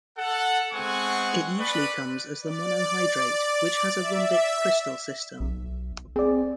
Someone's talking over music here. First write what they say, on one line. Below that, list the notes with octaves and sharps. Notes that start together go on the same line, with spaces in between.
It usually comes as the monohydrate, which has a rhombic crystal system.
A4 F#5
G#3 B3 C4 F#5 G#5 C#6
B4 D5
D5
E5
B1
C4 G#4 D5